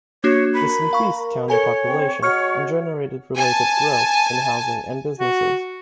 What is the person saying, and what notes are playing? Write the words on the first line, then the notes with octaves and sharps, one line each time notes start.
This increased county population and generated related growth in housing and businesses.
A#3 D4 F#4 C#5
A#4 B5
F5 C#6
A4 C#5 G#5
C4
G#3 F#4 C#5 C#6 F6 C#7
G#5 A5
F#4